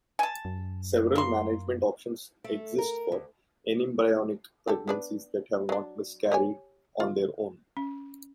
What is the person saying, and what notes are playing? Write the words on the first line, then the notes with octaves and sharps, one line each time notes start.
Several management options exist for anembryonic pregnancies that have not miscarried on their own.
G#5 A5
F#2
A#3 C6
A3
A#4
D2
D3 G4 A4
B3 D4 B4
F#3 D4
G4 C#5 G#5
F4
C#4